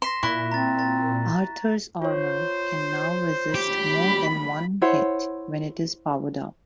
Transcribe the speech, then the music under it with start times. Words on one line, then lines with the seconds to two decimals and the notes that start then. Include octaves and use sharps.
Arthur's armor can now resist more than one hit when it is powered up.
0.02 C6 A#6 B6 E7
0.23 A#2 E4 C#6 F#6 A#6
0.52 C4 A#5 A6
0.79 A#5 A6
2.02 F4 C5 C#5
3.55 G4 B5
4.82 E4 C5 C#5 F#5